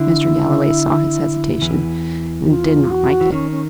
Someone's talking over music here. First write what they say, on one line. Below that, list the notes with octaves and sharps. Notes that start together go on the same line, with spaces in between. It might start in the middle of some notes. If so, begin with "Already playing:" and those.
Mr. Galloway saw his hesitation, and did not like it.
Already playing: D3 E4
E2 E3
F4
F#4
E3
D#3 C#4
C#4